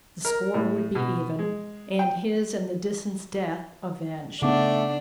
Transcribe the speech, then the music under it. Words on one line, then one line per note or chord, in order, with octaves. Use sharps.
The score would be even, and his and the Disans' death avenged.
A#4
A2
B2
G#3
G5
C#3 A3 B3 D4 D#4 F#5 D6